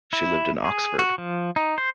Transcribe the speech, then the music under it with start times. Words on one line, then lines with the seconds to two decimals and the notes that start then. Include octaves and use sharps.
She lived in Oxford.
0.13 E4
0.65 G#4
0.99 F#4
1.18 F3
1.56 D#4
1.78 C5